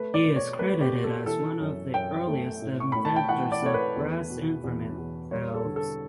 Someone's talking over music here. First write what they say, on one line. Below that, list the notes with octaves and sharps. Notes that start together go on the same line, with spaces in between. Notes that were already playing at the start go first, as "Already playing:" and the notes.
He is credited as one of the earliest inventors of brass instrument valves.
Already playing: A3 B4
D5
B2
C#5
A3 B4
G4
B2
A4
E3 A4
F#2
F#2 G5
A3
A2
C#6
A2 B5
A5
G5
E3 F#5
D5
A3 C#5
B4
E2
B2
E2
E2
G3 C#5
A4
D3
A4